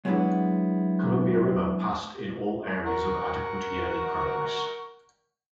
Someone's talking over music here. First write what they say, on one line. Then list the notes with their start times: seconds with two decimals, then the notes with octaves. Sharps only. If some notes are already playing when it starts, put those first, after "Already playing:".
Columbia River passed in all areas of Adequate Yearly Progress.
0.05 F#3 G#3 B3 D4 E4 G#4
2.85 A#4 F#5 C#6